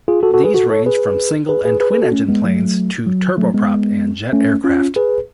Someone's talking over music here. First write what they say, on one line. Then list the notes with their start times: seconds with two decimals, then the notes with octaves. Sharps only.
These range from single and twin engine planes to turboprop and jet aircraft.
0.08 F4 G#4
0.23 F#4 A4
0.34 F#4 A4
0.44 G#4 B4
0.55 F#4 A4
0.70 A4 C#5
0.86 G#4 B4
1.49 G#4 B4
1.65 G#4 B4
1.80 G#4 B4
1.91 G#4 B4
2.02 F#4 A4
2.12 A3 C#4
2.29 G#3 B3
2.44 F#3 A3
3.06 F#3
3.38 F#3 A3
3.54 G#3 B3
4.33 A3 C#4
4.64 C#4 F4
4.96 G#4 B4